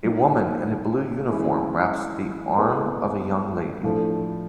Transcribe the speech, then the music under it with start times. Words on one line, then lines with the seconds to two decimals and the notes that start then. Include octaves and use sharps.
A woman in a blue uniform wraps the arm of a young lady.
0.04 F#3 A#3 D#4
1.30 E3 G#3 C#4 E4
2.57 G#3 B3 E4 A4
3.83 A2 F3 A3 D4